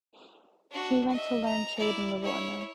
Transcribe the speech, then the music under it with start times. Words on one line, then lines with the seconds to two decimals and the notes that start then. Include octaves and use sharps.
He went to learn trade in Livorno.
0.71 D4 F#4
1.10 D#5 E5
1.45 A#5
1.78 E4 D5
2.22 E4 C#5